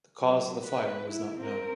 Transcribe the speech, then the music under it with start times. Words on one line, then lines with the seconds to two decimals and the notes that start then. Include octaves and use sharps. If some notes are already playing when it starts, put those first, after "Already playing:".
The cause of the fire was not known.
0.21 F#3
0.65 B4
1.11 E4
1.40 C4 A#4